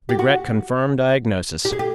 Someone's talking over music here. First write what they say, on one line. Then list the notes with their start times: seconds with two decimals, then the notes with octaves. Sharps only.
Regret confirm diagnosis.
0.09 G4
0.19 F#4
1.65 G4
1.72 G#4
1.79 G4